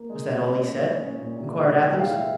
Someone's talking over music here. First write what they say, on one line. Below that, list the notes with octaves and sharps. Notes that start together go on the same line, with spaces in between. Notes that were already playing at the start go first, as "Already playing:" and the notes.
"Was that all he said?" inquired Athos.
Already playing: A#3
G#3
A#2
C#4
C#4
A#2
C#4
A#2
A#2
C3
G#3
G#3
F2
G5
E3 F5
G#3 E5